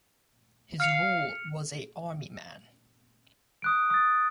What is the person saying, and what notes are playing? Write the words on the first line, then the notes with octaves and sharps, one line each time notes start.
His role was a army man.
F5 F6 C#7 F7
D#6 F#6 D7
D#6 A6